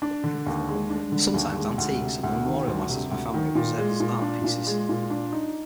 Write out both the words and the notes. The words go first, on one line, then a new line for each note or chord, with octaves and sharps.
Sometimes, antiques, or the memorial matters of a family are preserved as art-pieces.
D4
D3
D#2
G#3
D4
D3
D#2
G#3
D2
C3
D2
D#3
D2
C3
D2
D#3
A#2
G#3
A#2
D4
A#2
G#3
A#2
D4
D#4